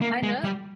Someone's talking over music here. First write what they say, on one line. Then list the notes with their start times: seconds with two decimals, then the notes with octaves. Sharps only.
I kno
0.02 A#3
0.23 G#3
0.44 G3